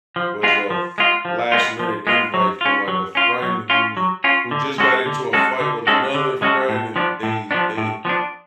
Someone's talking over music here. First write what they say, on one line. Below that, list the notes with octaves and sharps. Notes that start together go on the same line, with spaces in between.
was a f last minute invite from, like, a friend who's, who just got into a fight with another friend, and they they
F3
G#3 B3 F4
F3
G#3 B3 F4
F3
G#3 B3 F4
F3
G#3 B3 F4
F#3
C#4 F4
F#3
C#4 F4
F#3
C#4 F4
F#3
C#4 F4
D3
G#3 C#4 F#4 A4
D3
G#3 C#4 F#4 A4
D3
G#3 C#4 F#4 A4
D3
G#3 C#4 F#4 A4
A2
F3 B3 D4
A2
F3 B3 D4
A2
F3 B3 D4